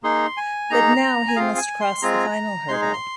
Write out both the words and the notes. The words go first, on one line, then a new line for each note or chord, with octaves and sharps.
But now he must cross the final hurdle.
A#3 D#4 G#4 C6
G#5
A#3 D#4 G#4 A#5
G#5
C4 F4 G#4 F5
G#5
C6
G#3 C4 F4 G#4 A#5
G#3 D#4 G#4 C6
A#5
C6